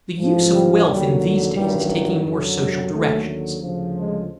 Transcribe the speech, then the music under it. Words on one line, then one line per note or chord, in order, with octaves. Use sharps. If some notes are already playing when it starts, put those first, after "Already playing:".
The use of wealth in these days is taking more social directions.
A1 G#2 F3
G3
D#2 D3 F#3 G3
A1 G2 D#3 F#3 G3
F#2 D3 F#3
G#3
D#2 D3 F#3 A3
D2 C#3 F3
G#3